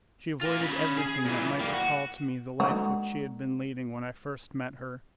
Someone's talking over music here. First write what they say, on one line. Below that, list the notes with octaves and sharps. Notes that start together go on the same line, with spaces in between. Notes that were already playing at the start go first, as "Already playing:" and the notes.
She avoided everything that might recall to me the life which she had been leading when I first met her.
F4 A#4
C#4 B5
G#4
A#2 E3
G3 A#3
F#4
D3 G#3 A#3 D#4 F#4